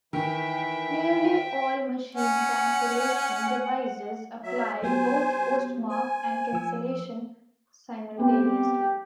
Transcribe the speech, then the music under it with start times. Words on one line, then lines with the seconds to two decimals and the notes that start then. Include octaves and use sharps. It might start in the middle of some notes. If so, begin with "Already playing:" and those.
Nearly all machine-cancellation devices apply both postmark and cancellation simultaneously.
0.13 D#3 E3 E5 G5
2.15 C#4 F#5 G#5
4.43 F#3 E5
4.82 F#3 B3 G4 C5 G#5
5.90 C5 G#5
6.53 F3 E6
8.19 B3 C4 G4